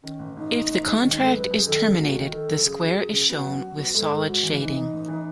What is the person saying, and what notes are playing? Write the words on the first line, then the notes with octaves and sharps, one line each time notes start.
If the contract is terminated the square is shown with solid shading.
D#3 C#4
A1
A1 D#4
A1
A1
G#3
D#3 C#4
D#4
G#2
A4
F#2 B4
F#2
G#4
D#3 A4
F#2
G#4
A3 F#4
D#3
D#3 A4
F#2
C#3 G#4
F#3
F#2
C#3
B3 F#4
F#2
F#2
B3
G#2 A4
G#2
G#2 F#4
E3
E3 D#4
E3
A1
E3